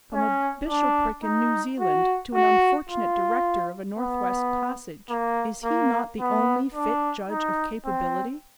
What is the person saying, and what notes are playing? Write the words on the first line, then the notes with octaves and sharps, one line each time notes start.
From a bishopric in New Zealand to an unfortunate director of a North-west passage, is he not the only fit judge of capability?
C#4
D4
D#4
F#4
F#4
F4
B3
A#3
A#3
B3
D4
D#4
C4